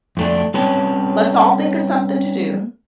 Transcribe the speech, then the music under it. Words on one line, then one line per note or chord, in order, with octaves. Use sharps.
let's all think of something to do,
F2 A3 D4
G3 C4 C#4 B4 C#5 A5